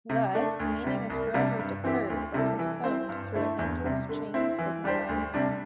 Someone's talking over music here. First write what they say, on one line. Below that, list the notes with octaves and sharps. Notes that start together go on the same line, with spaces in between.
Thus, meaning is forever "deferred" or postponed through an endless chain of signifiers.
C3
A3 D4
D2
C3 G3
C2
C3 G3 D4
G2
E3 C4 E4 G4
D2
C3 G3 E4 A4
E3
C4 E4 C5
G2
D3 A3 E4 C5
E2
C3 G3
D3
C4 E4
E3
G3 D4 G4 C5
D2
C3 G3 D4